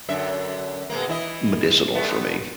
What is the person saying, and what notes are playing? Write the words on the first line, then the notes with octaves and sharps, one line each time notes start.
medicinal for me.
F#2 D3 E5
B2 G#3 A#3
E3 E4 D#5
G3 A3 B3